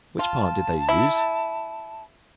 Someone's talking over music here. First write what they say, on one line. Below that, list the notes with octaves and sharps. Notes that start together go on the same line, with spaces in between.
Which part did they use?
F4 A5
E4